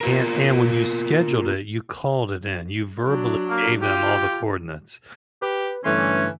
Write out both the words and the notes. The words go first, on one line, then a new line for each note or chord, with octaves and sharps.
And and when you scheduled it, you called it in. You verbally gave them all the coordinates.
B3 F4 A#4
F#3 D4
A#3
F4 G4
G4 B4
G2 D3 E3 A3 C#4 C6